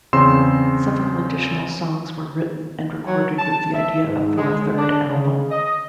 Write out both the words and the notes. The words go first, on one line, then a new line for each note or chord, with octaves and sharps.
Several additional songs were written and recorded with the idea for a third album.
E2 C#3 C4 C6 E6 E7
F#3
A5
E5
G#2
G#3
D4
C#3
D#5